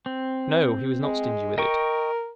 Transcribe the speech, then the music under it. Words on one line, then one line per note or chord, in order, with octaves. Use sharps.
No, he was not stingy with it.
C4
G#3
A#4 D#5 G5 C#6